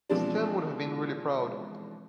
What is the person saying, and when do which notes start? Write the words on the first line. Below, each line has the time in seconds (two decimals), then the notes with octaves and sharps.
Stan would have been really proud.
0.10 B2 E3 F3 G#3 C4 D4